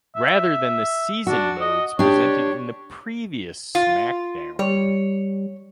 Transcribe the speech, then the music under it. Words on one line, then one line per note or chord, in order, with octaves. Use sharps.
Rather than the Season Modes presented in the previous SmackDown!
E5
D4 F#4
D#5
D4 G4 C#5
F4
G3 C#5